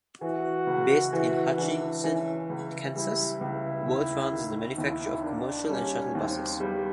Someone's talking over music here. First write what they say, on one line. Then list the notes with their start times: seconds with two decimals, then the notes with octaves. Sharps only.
Based in Hutchinson, Kansas, World Trans is a manufacturer of commercial and shuttle buses.
0.21 E3 F#4
0.67 C#2
1.13 E3 F#4
1.58 E3 D4
2.04 E3 C#4
2.49 C#2
2.95 G3 E4
3.41 C#2 E4
3.86 D#2
4.32 D#3
4.78 D#2 E4
5.23 D#3 D4
5.69 G3 C#4
6.15 D#2 C4
6.60 G3 B3